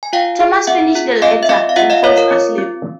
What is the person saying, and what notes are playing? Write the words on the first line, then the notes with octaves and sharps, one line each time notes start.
Tomas finishes the letter, and falls asleep.
G#5
F4 F5 G5
G#4
C4 E5 F#5
F4
C4 D#5 F5
E5
C4 D#5 F5
F5
F4 E5 F#5
D#5 F5
F4 C#5 D#5
A#4
C4
C4